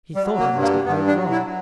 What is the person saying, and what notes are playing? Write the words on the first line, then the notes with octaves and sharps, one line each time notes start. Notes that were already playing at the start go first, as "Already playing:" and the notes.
He thought he must have heard wrong.
G3
F#3
A#3
G2
A#3
G2 B3
D4
F#3
E4
F#3